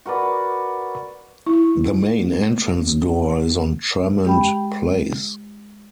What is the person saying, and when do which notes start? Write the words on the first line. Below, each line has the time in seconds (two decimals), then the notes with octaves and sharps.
The main entrance door is on Tremont Place.
0.06 F#4 A#4 B4 D5
1.47 E4
4.25 G#3 G4 G5 B5